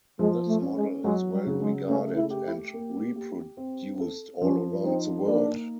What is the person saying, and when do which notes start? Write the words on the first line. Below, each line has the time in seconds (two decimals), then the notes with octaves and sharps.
This model is well regarded and reproduced all around the world.
0.19 F3 G#3
0.47 A3
0.61 C#4
0.76 G#3
1.04 F#3 G#3
1.32 G3
1.46 C#3
1.61 G#3
1.88 A3 C#4
2.16 E4
2.30 G4
2.46 E4
2.74 A#3
3.16 G4
3.57 C4
4.00 A4
4.42 F3 C#4
4.84 C4 D#4
5.26 A#3 D4